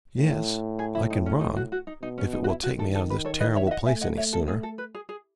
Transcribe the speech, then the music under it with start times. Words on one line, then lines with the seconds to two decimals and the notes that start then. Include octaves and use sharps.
"Yes, I can run if it will take me out of this terrible place any sooner."
0.18 A2
0.79 G#4
0.95 E4
1.10 D#4
1.26 C#4
1.41 D#4
1.56 F#4
1.72 F#4
1.87 D#4
2.02 B2 D#4
2.18 C#4
2.33 D#4
2.44 F#4
2.49 E4
2.63 D#3 F#4
2.79 A4
2.95 A4
3.10 B4
3.25 A4 C#5
3.40 B4 D#5
3.55 C#5 E5
3.67 E5
3.71 D#5 F#5
3.86 A3 E5 G#5
4.01 D#5 F#5
4.17 C#5 E5
4.33 A4
4.48 G#4
4.63 A4
4.78 B4
4.95 G#4
5.09 G#4